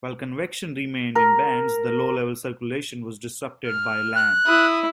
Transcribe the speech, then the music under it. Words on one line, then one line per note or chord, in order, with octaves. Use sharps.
While convection remained in bands, the low level circulation was disrupted by land.
A#4
F6
F#6
E4 D#6